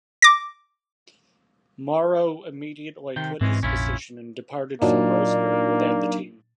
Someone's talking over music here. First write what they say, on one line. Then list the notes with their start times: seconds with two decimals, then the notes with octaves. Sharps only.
Morrow immediately quit his position and departed for Roseburg without the team.
0.22 D6 A#6
3.16 C3 D#3 G5
3.41 G#2 E3 G#3 C4 C#4
3.63 F1 A#1 C#4 E4 F4
4.82 A#2 F#3 A#3 D4 D#4 D5